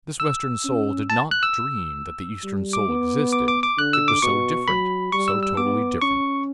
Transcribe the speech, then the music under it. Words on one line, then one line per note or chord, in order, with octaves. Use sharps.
This Western soul did not dream that the Eastern soul existed, it was so different, so totally different.
E6
C#4
A5
F#6
E6
G3
D6
B3
D6
D6
D6
D3 F#6
E6
D6
B2 C#6
F#3 B5
G3 C#6
E6
E6
B3 D6
C#4 C#6